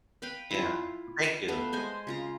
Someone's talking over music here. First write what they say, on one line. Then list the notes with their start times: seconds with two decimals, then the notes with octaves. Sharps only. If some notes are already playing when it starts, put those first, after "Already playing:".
Yeah, well thank you.
0.22 B4 F5 G5 B5
0.51 E4 F4
1.48 A3 B3 F5
1.73 G#3 C5 G#5
2.07 C#3 F4 A#5